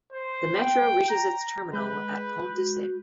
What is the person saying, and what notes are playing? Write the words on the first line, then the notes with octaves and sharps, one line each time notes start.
The metro reaches its terminal at Pont de Sèvres.
C5
G5
A#5
G#3 B4 G6
F#4